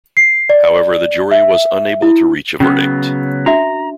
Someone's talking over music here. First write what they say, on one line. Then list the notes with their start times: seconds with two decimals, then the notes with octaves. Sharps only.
However, the jury was unable to reach a verdict.
0.17 C7
0.49 D5
1.31 E5
2.02 E4
2.60 C#3 F#3 B3 C#4
3.46 D4 F#4 E5 A#5